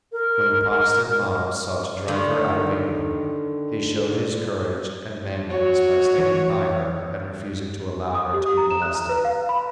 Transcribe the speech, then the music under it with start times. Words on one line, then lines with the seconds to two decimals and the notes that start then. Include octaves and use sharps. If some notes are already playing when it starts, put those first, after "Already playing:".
When the Protestant mobs sought to drive her out of England he showed his courage and manliness by standing by her and refusing to allow her to be molested.
0.12 A#4
2.08 D3 D#3
5.50 F#4 C#5
6.18 E3
8.15 D#6
8.33 G4
8.46 D#6
8.57 A#5
8.71 E7
8.82 F#6
8.95 A#5
9.09 B4
9.25 F5
9.49 B5